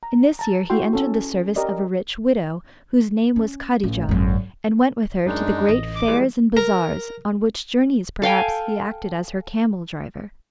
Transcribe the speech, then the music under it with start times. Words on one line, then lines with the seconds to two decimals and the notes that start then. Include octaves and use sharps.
In this year he entered the service of a rich widow, whose name was Kadijah, and went with her to the great fairs and bazaars on which journeys, perhaps, he acted as her camel driver.
0.03 A#5
0.39 A5 A#5
0.70 E4 F#4 G5 C6
0.93 C#4 A4
1.56 G4 A#4 D5 D#5
3.36 C#4
3.84 A1
4.09 G#1 F#2
5.26 F#2 F#3 G#3 D4 D#4
5.69 A1 D#5
5.95 D6
6.08 E3 G3 G#3
6.57 A#4
8.22 A4 F5 G5 G#5